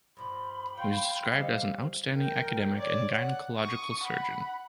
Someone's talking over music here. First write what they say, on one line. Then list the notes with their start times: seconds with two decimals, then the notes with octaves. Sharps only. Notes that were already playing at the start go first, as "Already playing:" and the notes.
He was described as an outstanding academic and gynaecological surgeon.
0.17 G2 F3 B5 C6
0.77 C#5 F5 G5
1.32 G3 A4 C5 D#5 F5
2.14 A#4 G5
2.76 C#5 D5
3.15 F#5
3.57 C#6 D#6
4.04 F#5 B5